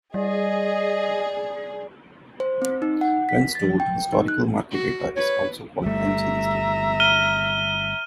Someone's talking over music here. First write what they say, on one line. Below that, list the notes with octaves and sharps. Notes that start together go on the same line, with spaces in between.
When stored, historical market data is also called time-series data.
G3 G#4 D5 D#5
C5
C4
D#4
F#5
B6
A6
G5
D#4
F#6
F#4
B4 C#5
G1 G3 A3 E5 A#5
F6 D#7 G7